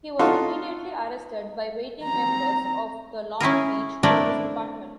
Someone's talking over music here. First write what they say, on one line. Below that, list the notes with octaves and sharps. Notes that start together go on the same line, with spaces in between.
He was immediately arrested by waiting members of the Long Beach Police Department.
D#4 F4 A4 F#5 C6 C#6
C4 A#5
C#4 E4 G#4 A#4
A3 C4 D4 E4 A#4 D5